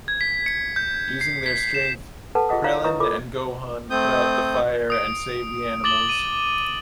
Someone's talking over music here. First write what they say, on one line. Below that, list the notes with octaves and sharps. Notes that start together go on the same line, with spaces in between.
Using their strength, Krillin and Gohan put out the fire and save the animals.
G#6
B6
C#7
G6
C7
B6
E7
A4 B4 F#5 A5
F4 G4 G#4 D#5 F#5 D#6
E4 C#5 F5 A#5
E4 B4 D#5 A#5 C#6 D#6
F4 A4 A#4 B5 D6
A3 C4 D#6 G6
D#6 D7
D6 A6 F#7 G7
D#7